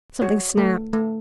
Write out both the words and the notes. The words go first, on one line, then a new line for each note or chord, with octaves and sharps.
Something snapped.
F#4 C#5
A3
A3